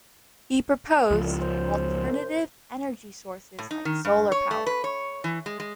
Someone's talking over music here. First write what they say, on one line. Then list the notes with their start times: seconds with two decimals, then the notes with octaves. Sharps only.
He proposed alternative energy sources, like solar power.
1.11 C#2 F3
1.24 C2
1.40 F#2 C5
3.59 A2
3.71 D#4
3.85 D#3
4.05 G2
4.32 C#5
4.51 A3
4.66 B4
4.84 C#5
5.24 E3
5.46 G#3
5.60 G#3